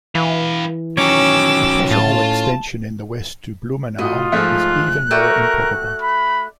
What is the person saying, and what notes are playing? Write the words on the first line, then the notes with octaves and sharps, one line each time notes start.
A possible extension in the west to "Blumenau" is even more improbable.
E3 B4 F5
D#3 F#3 C#4 C#5 D6 E6
A2 F4 A5
A2 F4 F#4 D#5
G#2 F3 A3 F#6
A3 F#4 A#4 D5 G5
B5